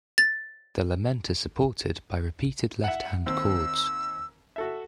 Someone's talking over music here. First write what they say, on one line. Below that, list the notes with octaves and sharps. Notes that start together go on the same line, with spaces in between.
The lament is supported by repeated left hand chords.
A6
E5 F#5
D#2 C4 E6
F#4 A4 E5